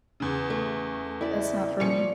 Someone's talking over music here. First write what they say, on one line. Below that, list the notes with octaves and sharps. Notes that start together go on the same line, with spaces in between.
That's not for me.
E2 C#3
A3
E4 D5
A#2 F3 C#4 C#7